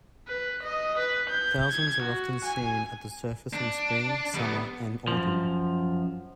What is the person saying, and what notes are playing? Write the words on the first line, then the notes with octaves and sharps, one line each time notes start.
Thousands are often seen at the surface in spring, summer, and autumn.
B4
D#5
B4
G6
G#6
F#4
G#5
D4
G3 B3
F#2 F3